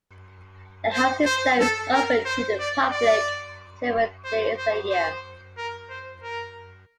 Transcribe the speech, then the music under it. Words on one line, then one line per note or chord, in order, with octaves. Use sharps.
The house itself is open to the public several days a year.
C5
C5
A4
A#4
C5
D5
D5
C5
C5
C5
A#4
C5
A#4